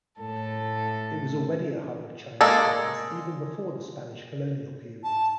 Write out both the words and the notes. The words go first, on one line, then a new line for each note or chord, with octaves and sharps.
It was already a hub of Chinese commerce even before the Spanish colonial period.
A2 A4
G#3 A#3 A4 D5
A5